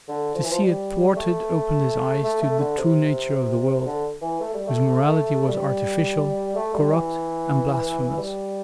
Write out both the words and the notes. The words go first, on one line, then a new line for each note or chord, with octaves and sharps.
To see it thwarted opened his eyes to the true nature of the world, whose morality was artificial, corrupt, and blasphemous.
D3
F3
E3
F3
G3
A3
A3
A3
D3
C3
D3
E3
A3
G3
A3
G3
A3
G3
E3
G3